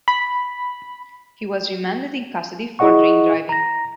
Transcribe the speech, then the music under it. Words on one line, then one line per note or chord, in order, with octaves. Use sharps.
He was remanded in custody for drink driving.
B5
E4 G#4 D#5 F#5 C#6
A#5 A#6